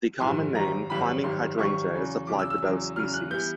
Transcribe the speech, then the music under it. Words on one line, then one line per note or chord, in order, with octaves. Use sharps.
The common name Climbing hydrangea is applied to both species.
A#1 G#2 E3 G3 C6
G#1 F#2 D#3 G3 A#5
G#1 F#2 D#3 G3 B5
G#1 F#2 D#3 G3 C6
G#1 F#2 D#3 G3 C#6
E2 C#3 F#3
E2 C#3 F#3 D6
E6
E6
E2 C#3 F#3
E2 C#3 F#3 F6
F#6
E3 G3 B3 G6